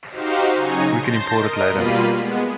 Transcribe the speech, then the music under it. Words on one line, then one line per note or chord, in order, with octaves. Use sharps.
We can import it later.
D#4 F#4 G4 C5 F5
C#3 F#3 D#4 G#5 A#5 C#6
A5 C6 G6 A#6
A#4 D#5
B2 G3 A#3 F4 B5 D#7
G#3 B3